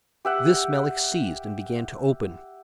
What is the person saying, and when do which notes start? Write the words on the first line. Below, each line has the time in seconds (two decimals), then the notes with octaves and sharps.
This Melick seized and began to open.
0.25 G4 E5 F#5